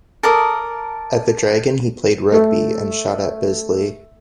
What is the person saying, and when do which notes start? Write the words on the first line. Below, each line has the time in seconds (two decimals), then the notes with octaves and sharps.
At the Dragon he played rugby, and shot at Bisley.
0.23 A4 A#4 D5 D#6
2.32 A3 A4 E5